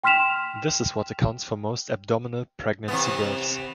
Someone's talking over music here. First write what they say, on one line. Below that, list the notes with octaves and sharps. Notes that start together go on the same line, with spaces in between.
This is what accounts for most abdominal pregnancy births.
G5 C6 F6 B6 E7 F7
C3 E3 B3